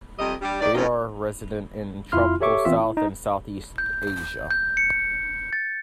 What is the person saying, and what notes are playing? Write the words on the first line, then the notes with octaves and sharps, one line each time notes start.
They are resident in tropical South and Southeast Asia.
F2 C3 G3 D#5
G3 D4
D#3 D5
A2 C3 D#3 F3 C#4 D#4
F2 E4 F4 C6 F6
G4 A4 C#5 E5 C#6 D6
E3 B3 C4 F4 E5
E4
D#4
G6
G6
C#7
A6